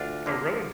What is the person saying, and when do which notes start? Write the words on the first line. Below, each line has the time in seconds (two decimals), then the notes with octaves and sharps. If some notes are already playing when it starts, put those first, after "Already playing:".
Oh, really?
Already playing: D2 D4 F4
0.26 D3 F3 A#3